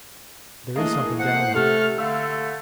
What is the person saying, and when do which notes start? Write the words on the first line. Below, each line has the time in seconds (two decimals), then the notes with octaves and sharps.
"There is something down there."
0.76 E3 A3 A#3 D4 G#4 D#5
1.19 C5 F#5
1.54 C3 A3 A4 F6
1.98 D3 A3 F5 E6